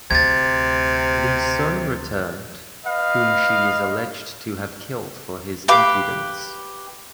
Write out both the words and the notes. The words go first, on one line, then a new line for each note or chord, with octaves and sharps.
The son returned, whom she is alleged to have killed for his impudence.
D2 C3 G#6 A6
B4 D#5 F5
G4 B4 F5 D6